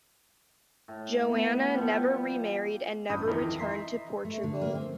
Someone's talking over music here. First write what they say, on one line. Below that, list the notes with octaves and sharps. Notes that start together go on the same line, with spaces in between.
Joanna never remarried and never returned to Portugal.
A2
B3
F3 G3
A1 G2 B5 D#6 G6
F2 D#3 E3 D#4 E4
D#5 E5 A#5 C6 B6 C7
A3
D3
A#3
C4